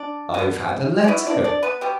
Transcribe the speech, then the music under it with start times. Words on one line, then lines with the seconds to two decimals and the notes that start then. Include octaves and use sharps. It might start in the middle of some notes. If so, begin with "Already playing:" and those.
"I've had a letter."
Already playing: D4 D5
0.34 B2 B3
1.04 D5
1.08 B2 B3 E4 E5
1.27 D4 D5
1.44 D4 D5
1.63 B3 B4
1.81 B2 G3 B3 G4